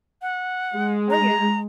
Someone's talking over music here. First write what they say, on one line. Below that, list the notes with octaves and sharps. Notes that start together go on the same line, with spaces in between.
Oh, yeah.
F#5
G#3
A#5